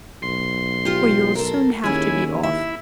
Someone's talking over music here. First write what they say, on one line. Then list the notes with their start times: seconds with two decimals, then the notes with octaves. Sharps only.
For you'll soon have to be off.
0.22 B1 C6
0.85 F4 G4
1.35 A4 A#4
1.84 D#2 C#4 E4 G#4 G#5
2.43 E4 E5